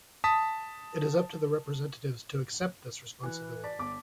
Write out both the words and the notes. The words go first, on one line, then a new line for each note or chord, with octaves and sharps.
It is up to the Representatives to accept this responsibility.
A5 D#6 B6
E3 B4 F#6
D5 A5 B6
G1 D6